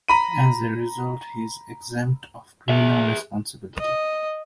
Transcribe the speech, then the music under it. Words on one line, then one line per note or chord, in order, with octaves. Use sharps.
As a result, he's exempt of criminal responsibility.
A#5 B5 D#7
G#4 E5
D#5